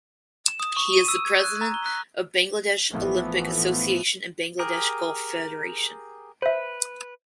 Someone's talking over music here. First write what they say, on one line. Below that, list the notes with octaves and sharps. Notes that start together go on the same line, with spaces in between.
He is the President of Bangladesh Olympic Association and Bangladesh Golf Federation.
E7
D#6
C#6
D#7
E6
G#6
F#6
A#5
G7
F#6
A1 E3 F3 A3 B3
G4 G#4 A#4
B4 C5 E5